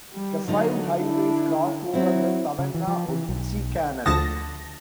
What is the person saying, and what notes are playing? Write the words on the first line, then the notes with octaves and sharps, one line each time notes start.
The five highways cross over the Savannah-Ogeechee Canal.
G3
D3 F#3 D#4
D4 E4
F#3 C4 E4
C#3
E3
F3
E3
B1
D2 D3 F3 A5 D#6 A#6